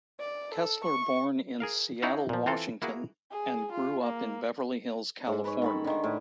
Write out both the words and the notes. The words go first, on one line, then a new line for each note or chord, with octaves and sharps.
Kessler born in Seattle, Washington and grew up in Beverly Hills, California.
D5
A4
C#6
G#4 A#4 F5
C#4 D#4 E4 F#4 D5 F5
A#2 F3
E3 C4 F4 A4
A#3 E4 F#4 G#4
G#4
F4
A#3
G#2
B4 C#5
D#3 A4 B5
D3 D#3
A2